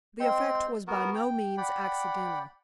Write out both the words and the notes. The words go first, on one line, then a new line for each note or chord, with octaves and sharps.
The effect was by no means accidental.
G#3 C4 G5 C6
B3 F#4 A#4
G5
D5 F#5 G5 B5